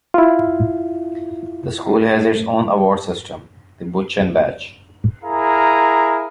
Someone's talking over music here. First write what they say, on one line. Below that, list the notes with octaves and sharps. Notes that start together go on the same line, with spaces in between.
The School has its own award system - the Buchan Badge.
E4 F4
E4 G#4 A#4 F5 A#5